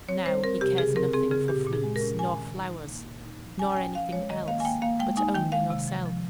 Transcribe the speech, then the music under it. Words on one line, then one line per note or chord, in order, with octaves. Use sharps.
But NOW he cares nothing for fruits nor flowers, nor anything else, but only yourself.
C4 C#5
G3 C5
C4 A#4
C3 G4
C#3 G#4
C4 A#4
C4 G#4
C#3 G#4
A#2 G4
A#2
G#4
G#3
A#4
C#4
D#3 G#5
D#3
D#4
D#4
A#3
A#2
D#4
F3
C#4 G#5
G#5
C#4 G5
F3 F5
G#3 C#5
D#3 D#5
A#3 F5
G#5
A#3 G5
A#3 F5
G#3 G5
D#4 G#5
D#3 G5
G#3 F5
C3
F3
F3